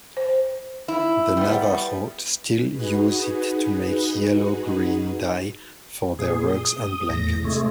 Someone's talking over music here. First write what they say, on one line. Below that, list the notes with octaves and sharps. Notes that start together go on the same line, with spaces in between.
The Navajo still use it to make yellow-green dye for their rugs and blankets.
C5
E4
G3 B3
D#4 F#4 G#4 B4
A#2 G#4
D#6
E2 A2 A#6
C3 G#3 A3